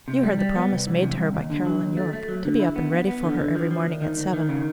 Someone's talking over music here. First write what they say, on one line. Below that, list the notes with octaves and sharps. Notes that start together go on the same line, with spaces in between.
You heard the promise made to her by Caroline Yorke, to be up and ready for her every morning at seven.
C3
G3
G3
B3
C2
E3
C3
C2
D#2
D3
F#3
D#2
A3
A3
F#3
D3
E4
B3
B3
B3
D3
D3
F3
F3
D2
D#3
D2
D#3
C#3